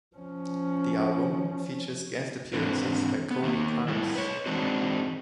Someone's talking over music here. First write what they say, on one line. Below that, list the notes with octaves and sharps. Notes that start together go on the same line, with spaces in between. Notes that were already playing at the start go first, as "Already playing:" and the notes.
The album features guest appearances by Cody Carnes.
F3 C#4
G#2 E3 C4 D4 B4
B3
D#3 A#3 D#4
A2 G3 E4
B4 C#5
E3 G#3 C4 D4 D#4 F#4